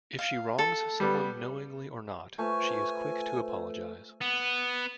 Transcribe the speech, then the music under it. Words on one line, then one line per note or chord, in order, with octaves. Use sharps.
If she wrongs someone, knowingly or not, she is quick to apologize.
F5
A4
G3 B3
A3 F4 B4 C5 G#5
B3